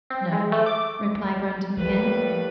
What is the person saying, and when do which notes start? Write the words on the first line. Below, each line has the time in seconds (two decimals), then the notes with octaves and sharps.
"No," replied Brandon again.
0.10 C4
0.32 G#3
0.52 A3
0.66 D6
1.77 A2 F3 G3 A#3 B4